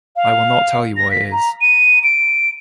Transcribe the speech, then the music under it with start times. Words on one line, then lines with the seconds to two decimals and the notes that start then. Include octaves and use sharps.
I will not tell you what it is.
0.16 F5
0.97 A#6
1.11 B6
1.32 A#5
1.61 D#7
2.04 D7